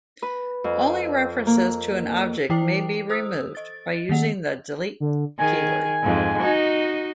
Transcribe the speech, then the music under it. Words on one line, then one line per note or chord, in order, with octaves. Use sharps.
Only references to an object may be removed by using the "delete" keyword.
B4
F2
A#3
E3 E4 C5 G5 D6 C7
A4 C5 D#6 E6
D#5 A6
D#3 A#3 F#5
D3
D#3 G#4 G#5
F2 G#2
D#4 F#4 D#5